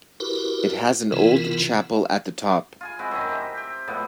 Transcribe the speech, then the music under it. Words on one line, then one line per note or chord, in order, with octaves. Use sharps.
It has an old chapel at the top.
E4 F#4 G4 A#4 B4
C3 E3 B3 E4 F4 A#4
F4 G#4 G#5
G#3 C4 E4 F#4
F#2 D#3 D#5
C4 G4 C5 E5
G4
A2 F3 G#3 B3